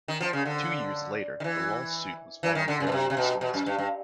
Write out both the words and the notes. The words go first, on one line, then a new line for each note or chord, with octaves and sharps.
Two years later the lawsuit was voluntarily dismissed.
D#3
F3
C#3
D3
D#3
E3
E3
D#3
D3
C#3
B2
C3
C3
B2
B2
F#2
G2
G2